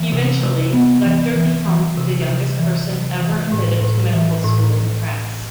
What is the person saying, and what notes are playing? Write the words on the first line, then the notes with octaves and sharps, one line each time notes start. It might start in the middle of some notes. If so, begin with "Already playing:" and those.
Eventually, Lecter becomes the youngest person ever admitted to medical school in France.
Already playing: E3
C3
C3
B3
E3
E3
E3
C3
C3
E3
C3
E3
A2
A2
E3
A2